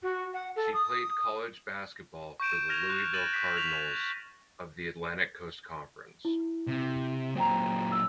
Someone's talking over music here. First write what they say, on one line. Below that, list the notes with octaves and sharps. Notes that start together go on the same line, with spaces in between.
She played college basketball for the Louisville Cardinals of the Atlantic Coast Conference.
F#4
F#5
A4
D#6
C#6 G6 D7 E7
F6 G#6 A#6 F7
F#6
A6 D#7 E7 F#7
B6
C#6 B6 F7
E4
C3
A#2 F#3 C5 G5 A#5
E6